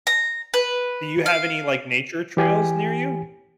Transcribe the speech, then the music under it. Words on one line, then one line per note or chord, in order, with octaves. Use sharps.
Do you have any, like, nature trails near you?
A#5
B4
F5
E3 G4 G#5